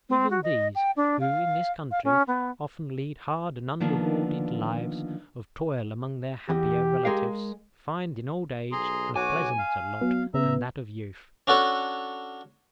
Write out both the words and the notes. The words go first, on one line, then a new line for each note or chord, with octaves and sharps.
Even these, who in this country often lead hard and unrewarded lives of toil among their happier relatives, find in old age a pleasanter lot than that of youth.
C4
F#4
D#5
G5
D4
F5
F5
C#4
B3
D3 D#3 F3 A#3 B3 D4
E2 G4
G#3 A#4 F5
B1 G#4 A#5 C6
F#4 C#5 G#5 D6
F5
F#3 B3
C#3 B3 E5 A#5
C#4 D4 F#4 A4 C#5